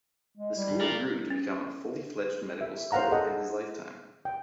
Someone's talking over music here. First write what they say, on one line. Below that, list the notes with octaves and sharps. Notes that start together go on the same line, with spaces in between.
The school grew to become a fully fledged Medical School in his lifetime.
G#3
G3
G2
F4 A#4 D5
C#4
E5
C5 C#5 F5 F#5 A#5
G#4 A4 D#5 F#5
G5